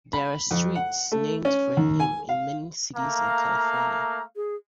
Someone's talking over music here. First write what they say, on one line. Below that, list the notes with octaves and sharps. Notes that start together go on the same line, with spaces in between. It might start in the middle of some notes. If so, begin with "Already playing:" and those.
There are streets named for him in many cities in California.
B5
F2
F#5
A3
C#4
D#2
G#5
F5
A3 A#3 F5 A#5
G#4